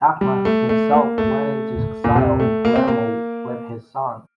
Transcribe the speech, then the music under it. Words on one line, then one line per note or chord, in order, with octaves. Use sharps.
Ahmad himself went into exile in Palermo with his sons.
G3
A3
A3
A#3
A3
A#2
C3
A3
A#3
C4
A#3